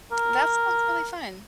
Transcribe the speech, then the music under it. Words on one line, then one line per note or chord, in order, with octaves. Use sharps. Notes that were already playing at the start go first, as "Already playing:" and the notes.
That sounds really fun.
A#4